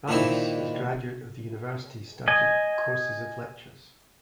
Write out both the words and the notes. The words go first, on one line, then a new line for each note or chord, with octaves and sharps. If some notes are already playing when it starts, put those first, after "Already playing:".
Ramus, as graduate of the university, started courses of lectures.
A#2 D3 D#3 C4 E4
D#5 G#5